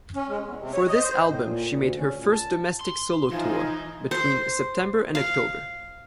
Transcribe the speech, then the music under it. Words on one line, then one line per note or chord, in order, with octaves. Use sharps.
For this album she made her first domestic solo tour between September and October.
C#4
G#3
E2
C3
C#5
D#5
C5
A2
A#2
D2
C#4
A#2
A5
C6
A2 E3 F3 D#4 F4 G#5
C5
F5